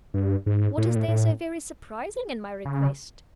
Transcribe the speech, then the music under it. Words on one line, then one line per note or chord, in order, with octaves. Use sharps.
"What is there so very surprising in my request?"
G2
G#2
A2
A#2
A2
A2
C#3